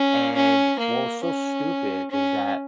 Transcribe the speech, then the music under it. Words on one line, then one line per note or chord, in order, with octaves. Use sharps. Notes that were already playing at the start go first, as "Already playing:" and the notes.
And what was so stupid is that.
Already playing: C#4
C#4
A#3
C#4
C#4